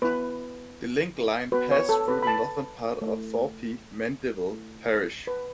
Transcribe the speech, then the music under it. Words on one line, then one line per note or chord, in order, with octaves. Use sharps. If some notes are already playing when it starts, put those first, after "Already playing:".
The link line passed through the northern part of Thorpe Mandeville parish.
B3 E4 B4
B3 F#4 B4
C#5
A4
B4
B5
A5
A3 E4
A3 E4
B4